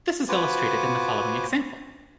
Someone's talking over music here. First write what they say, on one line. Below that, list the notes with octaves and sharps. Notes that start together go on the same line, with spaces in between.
This is illustrated in the following example.
F4 F#4 B4 C5 G#5 D6